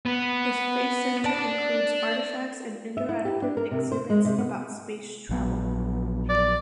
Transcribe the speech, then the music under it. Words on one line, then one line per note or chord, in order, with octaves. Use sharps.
The space center includes artifacts and interactive exhibits about space travel.
B3
D5 A5
E5
E4
G4
D4
A#4
C3
C5
G#3
C3
B3
A#1 F#3 B3
D5